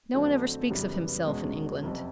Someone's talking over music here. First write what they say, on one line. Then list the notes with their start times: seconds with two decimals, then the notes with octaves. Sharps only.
No one ever speaks of himself in England.
0.14 F2 D3 F#3 A3 C4
0.70 F#2 C#3 E3 G3 B3
1.27 E2 B2 G#3 C#4
1.83 F#1 F2 C3